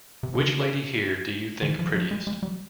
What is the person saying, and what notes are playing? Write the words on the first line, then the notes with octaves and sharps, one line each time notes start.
Which lady here do you think prettiest?
C3
C#3
D#3
F3
F#3
G#3
G#3
G3